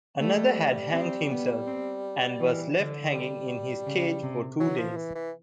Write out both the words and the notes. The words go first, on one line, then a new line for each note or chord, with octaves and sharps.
Another had hanged himself, and was left hanging in his cage for two days.
G3 A3
C4
B3
C4
E3
D3
G3
C#3
C3
E3 F#3
F3
E3
E3